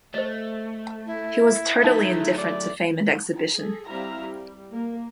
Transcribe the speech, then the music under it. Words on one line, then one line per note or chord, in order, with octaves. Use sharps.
He was totally indifferent to fame and exhibition.
A3 C5 D#5
E4
F#3 A3 D#4 F5 A5
D5
G#4 A4
G3 C4 E4 E5 F5 A#5
G3
A#3